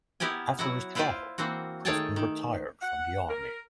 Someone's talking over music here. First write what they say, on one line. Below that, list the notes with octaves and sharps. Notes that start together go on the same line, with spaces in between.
After his trial, Preston retired from the army.
B3 E4 G4 A#4 G#5
F#3 E4 F#4
E4 F4 B4 C5 D5 E5
E3 A#3 C4 F#4
D#3 A3 G#4 C#5 G5 A5
D#3
F#5
A#4